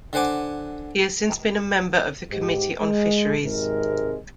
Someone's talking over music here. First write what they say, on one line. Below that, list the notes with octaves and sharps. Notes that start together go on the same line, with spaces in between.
He has since been a member of the Committee on Fisheries.
D3 C5 F#5 G#5 D6
G#2 G4
G#3
G#1 G#2 C3 G#3 A#4